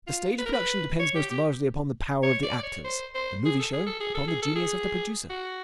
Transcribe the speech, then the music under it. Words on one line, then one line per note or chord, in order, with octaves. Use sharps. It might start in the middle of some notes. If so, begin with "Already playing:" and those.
The stage-production depends most largely upon the power of the actors, the movie show upon the genius of the producer.
F4
B4
A#4
B4
C#5
G4
G4
C#5
D5
D5
C#5
C5
C5
G#4
A4
G#4
A4
G#4
A4
G#4
A4
G#4
F#4